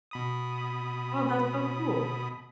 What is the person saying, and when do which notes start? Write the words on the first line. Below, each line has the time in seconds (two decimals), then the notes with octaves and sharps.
Oh, that's so cool.
0.11 B2 B5 D#6